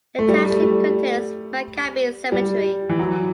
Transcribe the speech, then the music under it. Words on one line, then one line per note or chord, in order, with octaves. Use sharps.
The township contains MacCabee Cemetery.
A3
G3
A3
G3
G3
E3
F#3